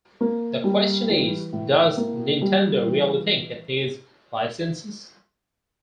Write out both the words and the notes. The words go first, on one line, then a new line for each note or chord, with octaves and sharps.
The question is, does Nintendo really think it needs licensees?
A#3
G3
E3
A2
A#3
G3
E3